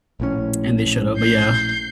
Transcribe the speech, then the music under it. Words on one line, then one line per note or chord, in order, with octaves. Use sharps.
And they should've, but yeah.
A#1 A2 C#4
G6 C7